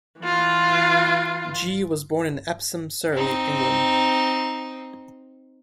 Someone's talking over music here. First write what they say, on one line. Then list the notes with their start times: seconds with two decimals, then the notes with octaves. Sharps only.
G was born in Epsom, Surrey, England.
0.20 E3 F4
3.13 C4 D#4